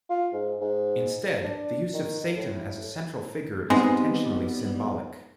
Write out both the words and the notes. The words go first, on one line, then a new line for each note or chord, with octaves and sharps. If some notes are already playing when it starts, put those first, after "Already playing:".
Instead, the use of Satan as a central figure is intentionally symbolic.
F4
G#2
G#2
D4
D#3
A2
G3 G#3 B3 C4 D#4